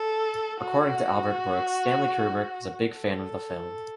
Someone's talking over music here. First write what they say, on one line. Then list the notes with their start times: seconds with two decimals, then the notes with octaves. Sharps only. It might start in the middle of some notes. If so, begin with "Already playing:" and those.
According to Albert Brooks, Stanley Kubrick was a big fan of the film.
Already playing: A4
0.60 F#4
2.94 A4